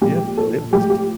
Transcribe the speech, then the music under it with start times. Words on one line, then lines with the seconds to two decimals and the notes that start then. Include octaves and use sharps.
Yeah, so it was
0.02 A#2 F3 G#3 G4
0.37 A4
0.72 A2 F3 G#3 G4
0.90 G4